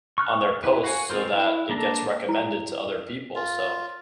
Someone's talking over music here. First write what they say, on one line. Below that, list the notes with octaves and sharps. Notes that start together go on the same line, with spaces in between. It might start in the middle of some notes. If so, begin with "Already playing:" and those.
on their posts so that it gets recommended to other people. So,
C#6 F6 F#6
E4 B4
F#4 F5 F#5 G#5
C4 F4 A#4 C5
E4
A#3 D4 A4 A#5
E4
F4